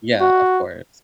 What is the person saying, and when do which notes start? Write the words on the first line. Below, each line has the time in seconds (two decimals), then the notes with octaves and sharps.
Yeah. Of course.
0.21 F#4